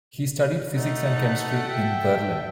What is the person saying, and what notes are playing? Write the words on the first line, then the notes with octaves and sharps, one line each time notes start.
He studied physics and chemistry in Berlin.
A3 D#4 A4 F#5 A5
E5 G5